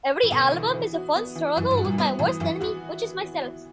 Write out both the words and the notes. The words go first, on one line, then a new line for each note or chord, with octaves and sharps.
Every album is a fun struggle with my worst enemy; which is myself.
E3
B2 D3 B3
E3
E3
F#4
B3
E3
F#2 E3
G2
F#4
A#2
B2 B3
A#2 E3
F#2 E3
E2 F#4